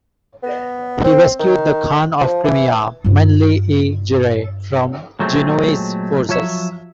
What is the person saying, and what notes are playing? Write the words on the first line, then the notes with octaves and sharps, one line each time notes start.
He rescued the Khan of Crimea, Meñli I Giray, from Genoese forces.
B3
C4
D#3
F3
E3
G2 F4
A#2 F#3 G#3 A3 C4
F3 F#3 C#5 E5